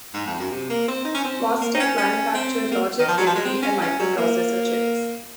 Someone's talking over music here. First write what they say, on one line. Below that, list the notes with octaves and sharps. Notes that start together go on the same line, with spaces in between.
Mostek manufactured logic, memory, and microprocessor chips.
G#2
F2
F#2
C3
A#3
C4
D#4
C#4
C4
A#3
D#4
C#4
C#4
C4
A#3
D#3
F3
F#3
F3
G#3
C4
C#4
C#4
F#3
A#3